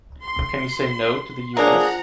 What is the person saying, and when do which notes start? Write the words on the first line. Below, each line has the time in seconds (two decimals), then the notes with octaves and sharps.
Can you say “no” to the US?
0.23 C6
1.57 F3 A#3 D4 G#4 F#5 A#5